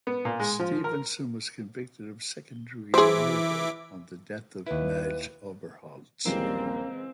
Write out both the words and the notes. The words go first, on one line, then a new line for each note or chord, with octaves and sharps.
Stephenson was convicted of second-degree murder in the death of Madge Oberholtzer.
B3
A#2
G#3
F3
A#4
E3 G#4 C5 E5 D6
D#2 E4 B4
A#1 D#2 C#3 E3 G3 G#3 A#3 C4